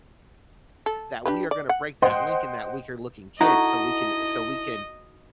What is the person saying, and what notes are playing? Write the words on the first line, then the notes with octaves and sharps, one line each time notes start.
that we are gonna break that link in that weaker looking kid so we can so we can
A4
D4 G4 B4
D5
F#5
C5 D#5 F#5 G5 C6
D#4 E4 F#4 A4 D#5 A#5